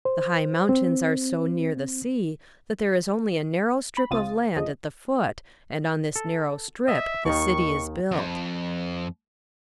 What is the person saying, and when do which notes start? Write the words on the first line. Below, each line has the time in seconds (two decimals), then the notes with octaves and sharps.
The high mountains are so near the sea that there is only a narrow strip of land at the foot and on this narrow strip the city is built.
0.05 C5
0.69 C4
3.97 B5
4.11 C#2 C4 F4 D#6 A6
4.56 E2 F3 G#3 D#5
6.16 A4
6.88 D#5 E5
7.25 D#2 D#3 C#6
8.11 F2